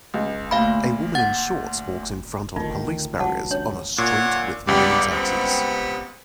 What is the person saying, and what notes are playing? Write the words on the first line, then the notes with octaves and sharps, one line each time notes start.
A woman in shorts walks in front on police barriers on a street with many taxis.
C#2
D2 A#2 F5 B5
F#5 A6
D2 D#3 D#4 F4
D#1 C#2 F#3 F#5 A5
D4 C#5
A#2 C#5 F#5
C#2 G3 B3 D4 G4
B3 C4